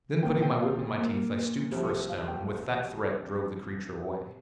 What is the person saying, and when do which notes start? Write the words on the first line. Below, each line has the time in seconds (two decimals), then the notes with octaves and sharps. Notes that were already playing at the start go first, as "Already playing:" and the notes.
Then putting my whip in my teeth, I stooped for a stone, and with that threat drove the creature away.
0.23 A#2 F3 C4 G5
0.42 G5
0.60 F5
0.98 A#2 A#3
1.71 C2 C3 F3
2.09 F5
2.28 G5